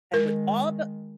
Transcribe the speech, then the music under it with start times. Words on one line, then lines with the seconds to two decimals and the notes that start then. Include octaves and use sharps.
And with all the
0.14 D#3 G#3 A#4